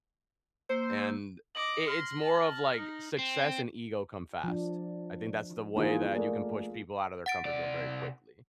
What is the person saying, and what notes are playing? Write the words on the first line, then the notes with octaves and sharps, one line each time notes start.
and it it's more of, like, success and ego come fast. I think that's the way that you can push people outta their comfort zone very quickly,
A#3 C5 E6
D#5 D6 F#7
C6 F6 A#6
A5
D#4
C4
F3 D4
E3 A#3 D#4 F4 G#4
A3 A#4 D5
F#5 A6 D7
C3 D5